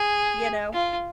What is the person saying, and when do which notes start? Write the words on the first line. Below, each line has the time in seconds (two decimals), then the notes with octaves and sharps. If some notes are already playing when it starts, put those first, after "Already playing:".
you know?
Already playing: G#4
0.74 F4